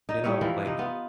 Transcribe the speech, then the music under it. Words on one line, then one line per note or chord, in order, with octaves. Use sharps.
you know, like,
D#4 D#5
G3 D#4 E4 C#5
E3 F3 E4 A#4
C3 D#4
B3 F4